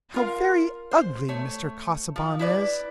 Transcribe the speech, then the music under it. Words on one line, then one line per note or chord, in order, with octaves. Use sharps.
"How very ugly Mr. Casaubon is!"
F4 A#4 F5
C5
A3 C#5
F3
E4 B4 D5